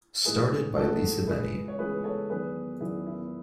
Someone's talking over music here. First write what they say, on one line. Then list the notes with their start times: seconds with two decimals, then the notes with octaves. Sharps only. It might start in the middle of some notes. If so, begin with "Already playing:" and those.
Started by Lisa Bennie.
0.25 A2 E3 G#3 D#4 G#4 B4
0.77 A2 E3 G#3 D#4 F#4 A4
1.27 C#2 C#3 E3 G#3 G#4 B4
1.68 C#5
1.79 C#2 C#3 E3 G#3 G#4 B4
2.04 A4 C#5
2.29 E2 D#3 F#3 G#4 B4
2.81 E2 D#3 F#3 E4 G#4
3.06 E4